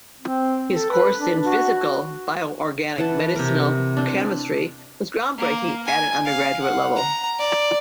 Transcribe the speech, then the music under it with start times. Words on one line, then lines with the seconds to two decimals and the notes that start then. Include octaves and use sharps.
His course in Physical Bio-Organic Medicinal Chemistry was ground-breaking at an undergraduate level.
0.22 C4
0.74 A4
0.90 B4
1.20 D4
1.45 F#4
2.98 E3 F#5 A5
3.36 C3 A#4
3.97 C4 D4
5.38 A#3
5.86 G#5
6.25 F5
6.62 F#5
6.96 A#5
7.39 D5